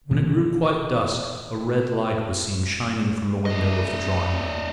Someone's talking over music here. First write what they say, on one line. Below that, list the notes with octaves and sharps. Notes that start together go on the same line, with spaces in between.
When it grew quite dusk a red light was seen shining from the window of the drawing-room.
A#2 E3 A#3
D4 D#5